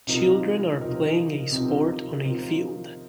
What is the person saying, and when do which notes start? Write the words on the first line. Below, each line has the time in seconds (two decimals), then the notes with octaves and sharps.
Children are playing a sport on a field.
0.07 C3 F3 C4 D#4 A#4
0.79 C3 F3 C4 D#4 A#4
1.51 C3 F3 C4 D#4 A#4
2.24 C3 F3 C4 D#4 A#4